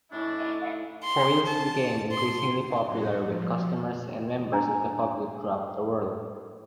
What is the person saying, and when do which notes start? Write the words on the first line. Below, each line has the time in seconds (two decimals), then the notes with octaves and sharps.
Foyles became increasingly popular with customers and members of the public throughout the world.
0.12 A2 D#3 C#4 D4 E4
1.03 C6
1.47 A5
2.12 C6
2.85 A2 F#3 C#4 F#4
3.18 F3
4.53 D4 G#5 A#5